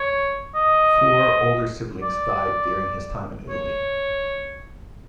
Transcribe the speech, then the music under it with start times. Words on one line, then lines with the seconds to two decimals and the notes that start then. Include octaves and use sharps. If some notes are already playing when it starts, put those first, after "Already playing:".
Four older siblings died during his time in Italy.
Already playing: C#5
0.55 D#5
2.02 D5
3.50 C#5